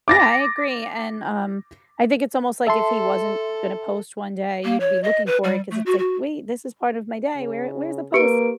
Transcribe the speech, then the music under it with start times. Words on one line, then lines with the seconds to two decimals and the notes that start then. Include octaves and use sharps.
Yeah, I agree, and, um, I think it's almost like if he wasn't gonna post one day, you'd be looking for it ‘cause it's like, wait, this is part of my day, where where's the post?
0.08 D6 A6 A#6
2.67 A4 E5 A5 C6
4.64 A#3
4.80 C#5
5.03 D#5
5.26 B4
5.44 G3
5.71 A3
5.86 F#4
5.98 F#4
7.37 C#3
8.14 A#3 G4 B4 D7